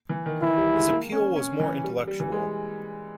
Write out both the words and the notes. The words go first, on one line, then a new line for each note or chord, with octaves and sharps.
His appeal was more intellectual.
E3
D#3
E3 E4
G3
G#3
A#3
C#4
C#4
E3
G3
G3
E3
G#3